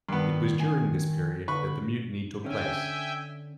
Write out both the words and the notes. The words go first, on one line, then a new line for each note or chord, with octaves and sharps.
It was during this period that the mutiny took place.
G2 D#3 B3
G#5
D3 B4 B5 C#6
D3 C#4 E5 G5 G#5